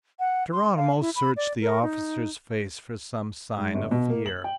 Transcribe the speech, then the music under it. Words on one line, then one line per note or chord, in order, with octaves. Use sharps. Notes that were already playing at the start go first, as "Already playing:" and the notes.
Geronimo searched the officer's face for some sign of fear.
F#5
C6
F5
E4
B5
D5
A#4
D#4
G#2
G1
B2
A#3
F#7
G5